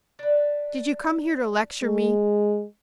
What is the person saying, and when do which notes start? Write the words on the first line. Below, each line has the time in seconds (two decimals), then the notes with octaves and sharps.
Did you come here to lecture me?
0.19 D4 B4
1.83 G#3